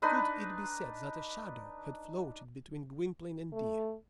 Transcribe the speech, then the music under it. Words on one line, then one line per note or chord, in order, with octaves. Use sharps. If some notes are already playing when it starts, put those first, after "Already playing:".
Could it be said that a shadow had floated between Gwynplaine and Dea?
D4 D#4 B4 C6
A3